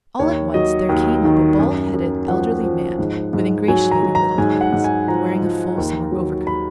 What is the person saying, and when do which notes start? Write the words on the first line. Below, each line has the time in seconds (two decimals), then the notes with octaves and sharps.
All at once there came up a bald-headed, elderly man with ingratiating little eyes, wearing a full, summer overcoat.
0.19 D#2 C#5
0.54 F#3 D#5
0.89 D#2
1.24 D#3
1.59 F#2
1.94 F#2
2.28 F3 F#5
2.63 F3
2.99 G#2
3.33 G#2
3.68 F#3 G#5
3.91 A#5
4.03 F#3
4.15 A#5
4.38 G#2 G#5
4.61 F#5
4.73 G#2
4.84 G#5
5.07 F3 A#5
5.42 F3
5.78 D#2
6.12 F#3
6.47 B5